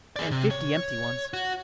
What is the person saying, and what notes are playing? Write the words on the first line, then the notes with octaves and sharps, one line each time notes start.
"And fifty empty ones."
G#4 D5
C3
C#5
F#4